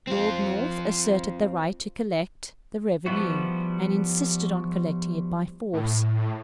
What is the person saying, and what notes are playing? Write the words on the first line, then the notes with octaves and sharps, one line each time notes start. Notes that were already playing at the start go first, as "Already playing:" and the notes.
Lord North asserted the right to collect the revenue, and insisted on collecting it by force.
C4 F4
F3 G3 B3 E4 F#4
A2